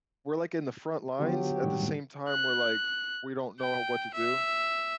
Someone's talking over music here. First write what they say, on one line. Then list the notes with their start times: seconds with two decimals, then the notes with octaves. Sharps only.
we're like in the front lines at the same time, we're, like we don't know what to do,
1.20 D3 F#3 B3 F4 G4
1.63 A2 D#3 G3
2.29 F#6
3.60 G5
4.14 E5